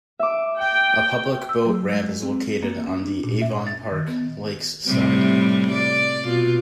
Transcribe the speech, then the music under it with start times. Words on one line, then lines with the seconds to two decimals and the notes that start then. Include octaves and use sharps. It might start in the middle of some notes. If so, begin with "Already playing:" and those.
A public boat ramp is located on the Avon Park Lakes side.
0.19 E5 D6
0.59 G5
1.49 E6
1.65 F#3
1.93 G#3
2.23 C4
2.63 A#3
2.86 C#4
3.01 D4
3.24 A#2
3.42 E5
3.67 A6
3.92 D#3
4.08 B3
4.85 A2 C3 G3
5.72 D5
6.24 B2 F4